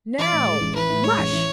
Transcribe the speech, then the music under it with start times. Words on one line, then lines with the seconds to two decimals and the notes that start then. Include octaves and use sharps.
"Now, MUSH!"
0.18 E3 D5
0.32 A2
0.47 G#3
0.61 A1
0.75 E3 B4
0.90 A2
1.04 G#3 C#5
1.18 A1
1.32 E3